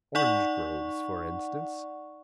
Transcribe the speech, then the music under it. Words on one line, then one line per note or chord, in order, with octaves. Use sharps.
Orangegroves for instance.
D#4 D5 F#5 C#6